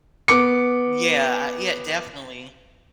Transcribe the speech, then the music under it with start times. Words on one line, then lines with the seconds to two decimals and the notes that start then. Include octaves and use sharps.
Yeah, uh, yeah, definitely.
0.28 B3 D6 C#7